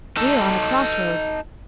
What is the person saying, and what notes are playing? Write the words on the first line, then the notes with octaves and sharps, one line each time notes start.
We are on a cross-road.
D#4 A4